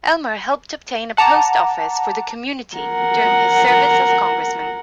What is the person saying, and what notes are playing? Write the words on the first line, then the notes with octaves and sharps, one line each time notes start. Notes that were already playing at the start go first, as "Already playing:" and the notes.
Elmer helped obtain a post office for the community during his service as Congressman.
F#5 A5 A#5 D6
A#4 F#5